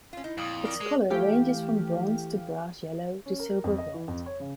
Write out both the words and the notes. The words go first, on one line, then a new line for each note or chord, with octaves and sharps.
Its color ranges from bronze to brass yellow to silver white.
C#4 F4
D#4 E4
F2 A#2 D#6 F6 F#7
A#4 D5 F6
G#3 G#4 F7
E3 A3 G4 F5
C#4
A#4
F2
D#5
E3
F2
C#5
C#3